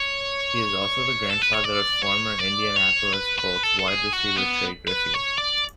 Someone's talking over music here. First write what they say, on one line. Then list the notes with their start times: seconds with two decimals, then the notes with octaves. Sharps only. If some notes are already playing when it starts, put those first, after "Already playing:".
He is also the grandfather of former Indianapolis Colts wide receiver Trey Griffey.
Already playing: C#5
1.30 A4
1.42 B4
1.53 C#5
1.64 D5
2.02 C#5
2.39 D5
2.76 C#5
3.14 B4
3.38 B4
3.63 A4
3.79 A4
3.88 G#4
4.13 F#4
4.38 B3
4.88 B4
5.14 C#5
5.38 D5